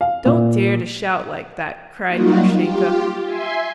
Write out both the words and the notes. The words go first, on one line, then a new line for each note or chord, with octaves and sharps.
"Don't dare to shout like that," cried Grushenka.
F5
A#2
F#3 G3 A#3 D#4 F4 F#4
F4 G4
E5 G#5 C6